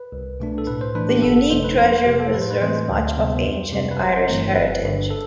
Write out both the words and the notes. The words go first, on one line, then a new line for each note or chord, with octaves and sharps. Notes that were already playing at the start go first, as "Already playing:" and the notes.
The unique treasure preserves much of ancient Irish heritage.
Already playing: B4
C2
B2 A3 D4
A4
A2 B4
C5
E3 A3 D4 B4
G4
G1 A4
B4
F2 C3 F3 A3 C5
B4
F2 C5
B4
C3 F3 G4
A4
A2 B4
C5
B4
E3 A3 C4 C5
D2
C3 G3 B3
F2
C3 G3 C4
B4
G1 C5
G2 E3 A3 C4
G1 B4
G2 D3
A4